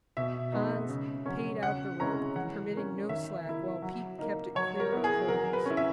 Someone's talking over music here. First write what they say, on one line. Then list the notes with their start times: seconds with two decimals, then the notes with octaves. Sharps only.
Hans paid out the rope, permitting no slack, while Pete kept it clear of coils.
0.17 B2 E5
0.52 G#3 B3 D#4
0.89 C#3
1.26 F#3 C#4
1.63 C#3 F#5
2.00 G#3 C#4 E4 A#5
2.36 E3 F#5
2.73 A#3 C#4
3.09 D#3 E5
3.45 A#3 E4
3.82 F#3
4.19 A#3 D#4
4.55 F#3 C#5
4.80 A#4
4.92 B3 E4
5.04 G#4
5.28 F#3 A#4
5.53 B4
5.66 C#4 E4
5.77 E5